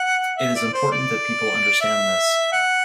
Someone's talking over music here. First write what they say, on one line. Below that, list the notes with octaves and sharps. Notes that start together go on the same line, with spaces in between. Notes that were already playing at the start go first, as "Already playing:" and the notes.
It is important that people understand this.
Already playing: F#5
E5
D5
C5
D5
E5
F#5